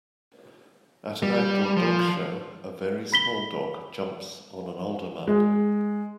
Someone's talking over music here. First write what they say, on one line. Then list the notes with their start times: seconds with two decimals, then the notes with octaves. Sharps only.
At an outdoor dog show, a very small dog jumps on an older man.
1.23 G3
1.77 F3
3.12 B5 B6 G7
5.27 G#3